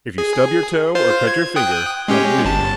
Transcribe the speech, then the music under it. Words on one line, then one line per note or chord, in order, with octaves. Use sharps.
If you stub your toe or cut your finger, come to me.
G#4
F4 C5
G#6
G5 D#6 F#6
G#3 C#4 G4
G1 A5